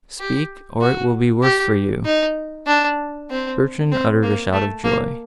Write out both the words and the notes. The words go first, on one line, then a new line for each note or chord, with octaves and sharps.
'Speak or it will be worse for you.' Bertrand uttered a shout of joy.
G4
F#4
G4
D#4
D4
C4
C4
A#3
A3
A#3